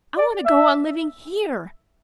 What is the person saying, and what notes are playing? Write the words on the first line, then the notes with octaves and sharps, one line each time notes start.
I want to go on living HERE.
D5
E5